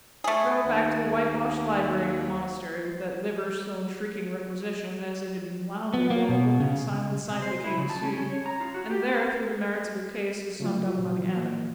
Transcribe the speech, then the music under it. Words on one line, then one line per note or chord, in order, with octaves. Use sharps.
So, back to the whitewashed library of the monastery--with that liver still in shrieking requisition, as it had been loudly, while they looked at the silent sight they came to see--and there through the merits of the case as summed up by the Abbot.
A3 G#4
D#2
B3
A#3
B2
C#3
C3
C5
E4
C#3
A5
C#4
C#4
C#5
A#5
F4
F#4
G4
C#3 F#3 A3 F4
A#2 E3 F3
A#3